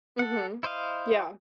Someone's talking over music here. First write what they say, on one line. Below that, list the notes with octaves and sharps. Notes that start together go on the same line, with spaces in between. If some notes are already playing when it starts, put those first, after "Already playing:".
Mhm, yeah.
A4 F#5
E4 C5 D#5 F5